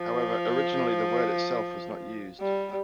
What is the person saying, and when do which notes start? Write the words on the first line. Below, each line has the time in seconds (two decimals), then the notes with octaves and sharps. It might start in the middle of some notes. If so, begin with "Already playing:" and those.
However, originally the word itself was not used.
Already playing: F3
2.40 G3